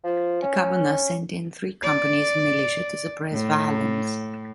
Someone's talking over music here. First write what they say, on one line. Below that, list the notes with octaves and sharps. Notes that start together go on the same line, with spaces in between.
The governor sent in three companies of militia to suppress violence.
F3
C#4
D5
A2